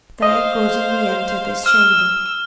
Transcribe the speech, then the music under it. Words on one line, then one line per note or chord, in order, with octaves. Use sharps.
They accordingly entered his chamber.
C5 D#5 F5
E6 F6